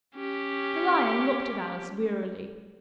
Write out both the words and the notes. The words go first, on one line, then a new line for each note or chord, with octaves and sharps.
The Lion looked at Alice wearily.
C#4 G4